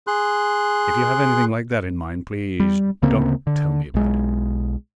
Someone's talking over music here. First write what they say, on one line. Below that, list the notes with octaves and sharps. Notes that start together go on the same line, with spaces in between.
If you have anything like that in mind please don't tell me about it.
G#4 C6 F#6
G3
D2 C#3 A#3 C4
D3
B1 G#3